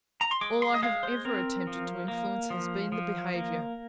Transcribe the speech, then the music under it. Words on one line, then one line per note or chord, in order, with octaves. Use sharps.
All I have ever attempted to influence has been the behaviour.
A#5
C6
G#3 D6
C6
D#5
G#3 F5
C5
C4 A#4
F3
A#3
F3
F3
A#3